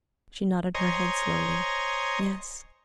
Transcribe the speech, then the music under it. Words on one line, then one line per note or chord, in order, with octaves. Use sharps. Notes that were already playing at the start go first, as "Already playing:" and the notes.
She nodded her head slowly: "Yes."
C5 C#5 D#5 G#5 A#5